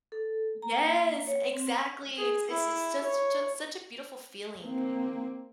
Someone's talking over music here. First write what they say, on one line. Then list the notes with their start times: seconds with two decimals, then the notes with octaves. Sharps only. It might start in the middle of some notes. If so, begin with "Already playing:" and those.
Yes! Exactly, it's it's it's just such a such a beautiful feeling.
0.12 A4
0.62 A#5
0.83 A#3
1.27 C#5
1.54 C4
2.18 G#4
2.50 E4
3.02 C#5
4.63 A#3 C4